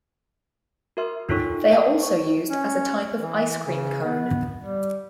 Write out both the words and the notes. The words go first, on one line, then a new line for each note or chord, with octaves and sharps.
They are also used as a type of ice cream cone.
F#4 A#4 E5 C6 F6
D4 D#4 F4 A4 C#5 C#6
A#4 D#5 G5 A5
C#6
C#4
E3
C#3
B3
G3